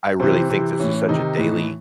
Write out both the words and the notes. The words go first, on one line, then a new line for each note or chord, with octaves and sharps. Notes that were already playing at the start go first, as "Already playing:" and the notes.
I really think this is such a daily
C3 E3 C4
C3 E3
A2 E3 C#4
C#4
C3 D#3 D#4
A2 E3